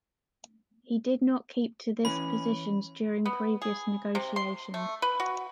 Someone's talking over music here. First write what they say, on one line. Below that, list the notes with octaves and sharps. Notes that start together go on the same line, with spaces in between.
He did not keep to this positions during previous negotiations.
E3 C#4 B5
B3
G#4
C3
C6
A3
B4
F#4